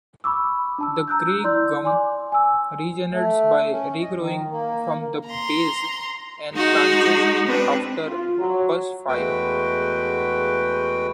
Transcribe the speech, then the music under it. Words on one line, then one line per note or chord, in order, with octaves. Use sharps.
The grey gum regenerates by regrowing from the base and branches after bushfire.
B5 C#6 D6 E6
D4 A5 E6
A#5 E6 F#6 G6
E4 D5 C6 E6 G6
D5 G#5 C6 D6
G#5 E6
A3
C#4
D#5
D#3
A#3
A#5 C6
G#3 D#4 F#4
C4 D4 B4
F4
F#3
E2 G#3 A3 F#4 B4 G5